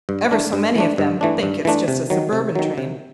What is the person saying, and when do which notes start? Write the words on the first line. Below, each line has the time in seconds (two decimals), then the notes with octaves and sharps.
Ever so many of them think it's just a suburban train.
0.09 G2
0.31 E3 A3 D4
0.53 G2
0.75 E3 A3 D4
0.98 G2
1.21 E3 A3 D4
1.43 G2
1.65 E3 A3 D4
1.88 C3
2.10 D#3 F#3
2.33 C3
2.55 D#3 F#3
2.78 C3